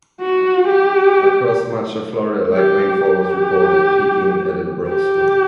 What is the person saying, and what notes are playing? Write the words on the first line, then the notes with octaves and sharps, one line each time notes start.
Across much of Florida, light rainfall was reported, peaking at in Brooksville.
F#4
G4
G4
G4
G4